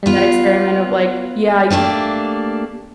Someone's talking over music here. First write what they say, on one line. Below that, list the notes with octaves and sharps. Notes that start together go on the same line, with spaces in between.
and that experiment of like yeah, you
B3 F4
A3 A#3 D4 G4